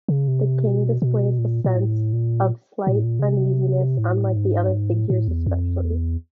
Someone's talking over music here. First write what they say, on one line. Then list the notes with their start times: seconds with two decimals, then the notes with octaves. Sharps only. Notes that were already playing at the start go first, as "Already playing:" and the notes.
The King displays a sense of slight uneasiness unlike the other figures especially.
0.08 C#3
0.28 C3
0.65 B2
1.02 B2
1.39 A#2
1.65 A#2
1.76 A2
2.13 A#2
2.87 A#2
2.96 A2
3.04 A#2
3.19 C#3
3.24 C3
3.98 A2
4.36 G#2
4.68 G2
4.72 G#2
4.91 A2
5.10 A2
5.28 E2
5.46 F2
5.83 E2